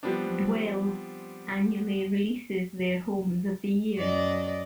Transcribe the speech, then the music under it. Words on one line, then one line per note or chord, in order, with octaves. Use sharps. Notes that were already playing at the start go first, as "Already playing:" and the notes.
"Dwell" annually releases their homes of the year.
F3 G3 B3 C4 D4
F#2 D5 D#5